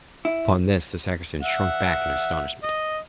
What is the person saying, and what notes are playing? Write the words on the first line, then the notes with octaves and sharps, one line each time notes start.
Upon this the sacristan shrunk back in astonishment.
E4
E5 F#5
D#5